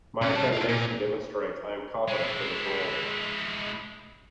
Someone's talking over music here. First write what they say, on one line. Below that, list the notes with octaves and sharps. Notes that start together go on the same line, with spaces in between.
My accreditation demonstrates I am competent for this role.
B2 C#4
G3 A5
E4 F4
A#2
G#3 E4